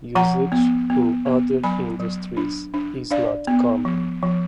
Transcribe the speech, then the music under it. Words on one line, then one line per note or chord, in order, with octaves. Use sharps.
Usage in other industries is not common.
F3 F#5 A#5
B3
B3
B3
F#3 G#5 B5
F#3
D4
D4
D4 D5 F5
B3
F3
F3